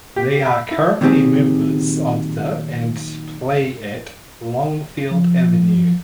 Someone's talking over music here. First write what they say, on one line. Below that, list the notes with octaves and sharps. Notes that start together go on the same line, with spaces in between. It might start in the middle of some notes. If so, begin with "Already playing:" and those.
They are currently members of the and play at Longfield Avenue.
G4
B5
E4
A#2 D#3 F#3 C4 G4 G#4
F3